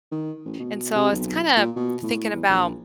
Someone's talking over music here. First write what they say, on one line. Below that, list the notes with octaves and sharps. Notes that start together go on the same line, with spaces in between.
And so I was kinda thinking about
D#3
A1
B2
C3
B1
A#2
B2
A2
E2
A#1